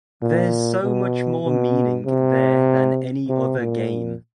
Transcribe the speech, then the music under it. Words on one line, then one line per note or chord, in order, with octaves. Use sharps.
There’s so much more meaning there than any other game.
A#2
B2
B2
C3
C3
A#2